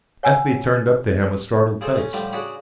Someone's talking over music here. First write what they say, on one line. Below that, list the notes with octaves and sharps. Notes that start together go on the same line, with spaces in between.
Ethne turned up to him a startled face.
C#5 F#5 G#5 A#5 E6
C#3 G#4 A4 C5
A3 C#4
A2 D3 F3 G3 A3
C#3 D4 F#4 G#4 F#5 B5